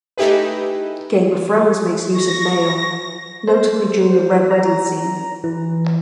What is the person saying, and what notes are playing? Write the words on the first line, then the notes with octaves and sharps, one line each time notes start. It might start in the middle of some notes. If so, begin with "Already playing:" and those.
Game of Thrones makes use of mail, notably during the "Red Wedding" scene.
A3 D#4 E4 G4 G#4 B4
C#6 A#6
C5
A#5
E3